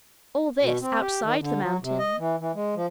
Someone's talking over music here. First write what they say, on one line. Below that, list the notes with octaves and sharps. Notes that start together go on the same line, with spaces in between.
All this outside the mountain!
B2
C4
G4
D#3
D3
F#3
C3
D#5
E3
E3
G#3
F3